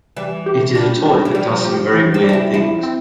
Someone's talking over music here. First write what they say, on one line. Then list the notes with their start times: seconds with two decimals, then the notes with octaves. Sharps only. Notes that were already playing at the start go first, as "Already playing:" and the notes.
It is a toy that does some very weird things.
0.17 E3 G3
0.46 G4
0.75 G3 D4
1.06 D4
1.25 E3
1.35 F3 G3
1.65 G4
1.94 E3
2.14 C4
2.24 G3
2.29 D4
2.33 E4
2.54 F3 E4
2.83 C4